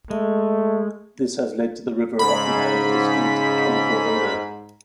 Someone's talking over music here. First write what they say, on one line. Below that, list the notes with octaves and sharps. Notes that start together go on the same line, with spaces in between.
This has led to the river often having a distinct "chemical odour".
G#3 A3
G#2 C#3 B5